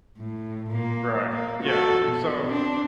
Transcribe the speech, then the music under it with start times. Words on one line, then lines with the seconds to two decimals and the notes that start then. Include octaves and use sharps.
Right. Yeah. So,
0.18 A2
0.71 A#2 A#3
1.32 A#3
1.63 F#4 A4
2.06 B2
2.47 C4 D4